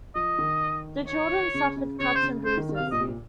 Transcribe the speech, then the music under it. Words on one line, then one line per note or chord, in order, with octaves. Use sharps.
The children suffered cuts and bruises.
F3 D#5
D#3
C#5
C#3
C#3
C#3 C#5
C5
C#3
C#3 C5
D#3
D#3
C3 F5
C3
A#2 D#5
C3
A#2